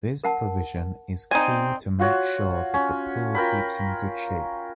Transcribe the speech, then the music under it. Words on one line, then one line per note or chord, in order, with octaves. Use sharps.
This prevision is key to make sure that the pool keeps in good shape.
A#4 F#5 A5
C4 D#4 D5 G#5
F4 F#4 C#5 F#5
C#4
F4 A#4 G5 B5